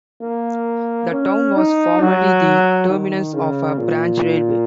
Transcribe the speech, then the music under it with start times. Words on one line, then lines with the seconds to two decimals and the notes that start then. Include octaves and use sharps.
The town was formally the terminus of a branch railway.
0.22 A#3
1.12 C#4
1.56 D#4
2.00 F#3
2.89 D#3
3.34 C#3
3.78 A#2